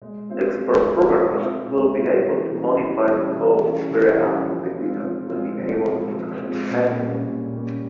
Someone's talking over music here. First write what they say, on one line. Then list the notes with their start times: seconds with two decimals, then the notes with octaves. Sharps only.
Expert programmers will be able to modify the code whereas beginners will be able to understand it.
0.02 G#3
0.29 C4 F4 C5 E5
0.57 G#3
0.85 C4 F4 C5 E5
1.13 G#3
1.41 C4 F4 C5 E5
1.68 G#3
1.96 C4 F4 C5 E5
2.24 E3
2.51 G3 C#4
2.80 E3
3.08 G3 C#4
3.36 E3
3.63 G3 C#4
3.91 E3
4.19 G3 C#4
4.47 F3
4.75 G#3 C4 F4
5.03 F3
5.30 G#3 C4 F4
5.59 F3
5.86 G#3 C4 F4
6.14 F3
6.42 G#3 C4 F4
6.70 A#2
6.97 G3 A#3 C#4
7.25 A#2
7.53 G3 A#3 C#4